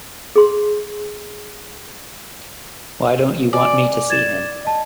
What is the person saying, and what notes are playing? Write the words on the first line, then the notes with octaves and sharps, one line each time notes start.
Why don't you want me to see him?
G#4 C6
D5 G#5
G#6 A6 E7
D#5 A5